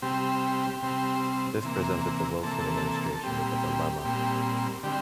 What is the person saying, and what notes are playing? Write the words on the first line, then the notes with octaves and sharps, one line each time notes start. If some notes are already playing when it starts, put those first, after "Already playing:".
This presented the Wilson administration with a dilemma.
C3 G3 C4 G4
C3 G3 C4
C3 E3 A#3
C3 E3 A#3 A4
A4
A#2 G3 C4 G4
A#2 G3 C4
D3 G3 C4 G4